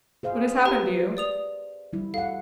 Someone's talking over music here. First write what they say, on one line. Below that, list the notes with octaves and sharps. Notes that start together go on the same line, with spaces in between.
What has happened to you?
G#4 C5 F5
G4 B4 A#5
D5 D#6 F7
G3 E4
A4 F5 F#5